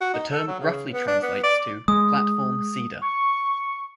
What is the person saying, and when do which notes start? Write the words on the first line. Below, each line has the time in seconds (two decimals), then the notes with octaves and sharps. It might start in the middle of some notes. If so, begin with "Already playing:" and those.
The term roughly translates to "platform cedar".
0.01 F#4
0.14 D#4
0.32 A4
0.48 F#3
0.60 C#3
0.93 B3
1.08 D4
1.23 B3
1.44 D5
1.88 G#3 D#6
3.02 C#6